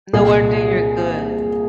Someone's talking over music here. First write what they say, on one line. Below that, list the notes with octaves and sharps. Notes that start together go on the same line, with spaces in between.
no wonder you're good,
C2 A#2 G#4